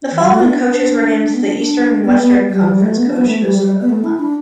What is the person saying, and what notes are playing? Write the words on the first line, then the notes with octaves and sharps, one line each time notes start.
The following coaches were named the Eastern and Western Conference Coaches of the Month.
E3
G3
A3
B3
D4
D4
B3
D4
D4
B3
B3
G3
E3
G3
A3
B3
D4
B3
A3
G3
G3
B3
A3
E4
D4